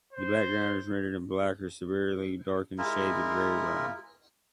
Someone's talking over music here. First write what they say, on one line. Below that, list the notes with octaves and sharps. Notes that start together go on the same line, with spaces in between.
The background is rendered in black or severely darkened shades of gray or brown.
C5
G#3 E4 F4 A#4